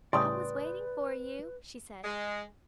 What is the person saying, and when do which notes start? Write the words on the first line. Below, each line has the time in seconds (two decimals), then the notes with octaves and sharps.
"I was waiting for you," she said.
0.13 A2 C#3 G3 B4 D5 G5 C6 D#6
2.03 G#3